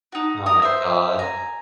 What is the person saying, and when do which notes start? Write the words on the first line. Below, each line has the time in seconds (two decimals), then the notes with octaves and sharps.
Oh my god.
0.12 D#4 F#4
0.46 A#4 D#6
0.63 C5 E5
1.19 G#5 A#5